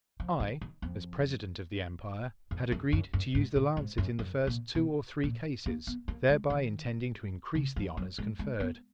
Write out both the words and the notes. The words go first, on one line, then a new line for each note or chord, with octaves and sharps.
I, as president of the empire, had agreed to use the lancet in the first two or three cases, thereby intending to increase the honours conferred.
F3
D#3
D#3
F2
F2
F#2
F#2
F#2
G#2
A#2
G#2
F#2
F#2
A#2
B2
A#2
A#3
B3
A#3
G#3
D#3
C#3
F3
F#3
G#3
G#3
B3